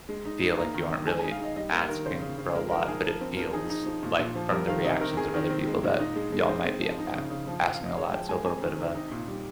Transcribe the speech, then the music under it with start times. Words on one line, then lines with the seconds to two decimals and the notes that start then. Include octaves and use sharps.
feel like you aren't really asking for a lot, but it feels like from the reactions of other people that y'all might be a asking a lot. So a little bit of a
0.09 G#3
0.25 D#4
0.41 D#4
0.58 A#3 A#5
0.74 D#3
0.90 D#3
1.07 G#3 G#5
1.19 D#4 G#5
1.31 F5
1.40 D#4 D#5
1.56 G3 D#5
1.72 A#3 A#4
1.89 D#3 A#4
2.05 C#3 C5
2.22 C#3
2.38 C#3
2.49 G#4
2.55 G#3 A#4
2.71 F3 A#4
2.82 A#4
2.88 D#4 G#4
3.04 F3 A#4
3.21 C4
3.37 F3 A#4
3.53 D#4 G#4
3.70 D#4
3.86 F3
4.03 A#2
4.19 A#2
4.35 F3
4.52 G3 A#4
4.68 D#3 F5
4.85 C3 D#5
5.01 D#3 A#4
5.17 D#3 G#4
5.34 D#3 A#4
5.50 C4
5.67 G#3
5.83 A#2
5.99 D#4
6.16 G#3
6.32 G#3
6.48 D#4 C5
6.65 C4
6.82 F3
6.98 D#4
7.14 C#3
7.30 C#3
7.47 F3
7.63 F3
7.73 F5
7.80 C3
7.85 D#5
7.96 G#3 C#5
8.13 F3 G5
8.29 G#3 G#5
8.45 C4 G#5
8.62 D#3
8.78 C3
8.95 D#4
9.11 A#2
9.28 G3